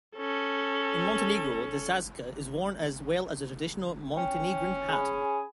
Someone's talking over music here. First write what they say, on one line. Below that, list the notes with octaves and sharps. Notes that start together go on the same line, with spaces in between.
In Montenegro, the šajkača is worn, as well as the traditional Montenegrin hat.
C#4 A4
C#4 G5
G#4 G#5 B5